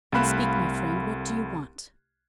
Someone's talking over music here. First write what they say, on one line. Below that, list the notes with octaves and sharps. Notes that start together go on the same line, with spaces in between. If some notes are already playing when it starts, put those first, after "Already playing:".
"Then speak, my friend; what do you want?"
C2 A3 F5 B5 F#6 E7